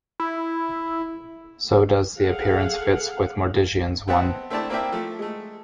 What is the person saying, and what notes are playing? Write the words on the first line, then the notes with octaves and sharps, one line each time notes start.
So does the appearance fits with Mordiggian's one.
E4
G#4 A4 F5 F#5
B3 C4 D#5 E5 F#5 A5
A3 C4 D4 E4 D5 A5
A#3 C4 E4 D5 E5 G5
F3 A3 A4
G#3 A3